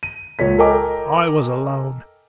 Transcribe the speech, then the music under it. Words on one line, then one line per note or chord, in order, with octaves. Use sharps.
I was alone.
D#7
C#2 A#2 C#5 B6
A4 A#4 D#5 G5 G#5 D6